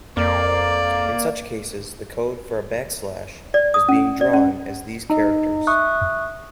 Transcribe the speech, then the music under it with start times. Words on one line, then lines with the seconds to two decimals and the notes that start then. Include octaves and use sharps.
In such cases the code for a backslash is being drawn as these characters.
0.17 F2 A#3 D5
3.54 D5
3.74 D#6
3.89 C#4
4.21 D5
4.33 C#4
5.10 D#4 D#5
5.67 E5 C#6 D#6 F#6